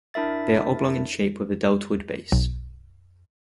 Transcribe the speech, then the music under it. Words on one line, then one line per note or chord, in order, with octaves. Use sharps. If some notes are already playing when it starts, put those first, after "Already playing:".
They are oblong in shape with a deltoid base.
D4 E4 A#4 E5 A6
B1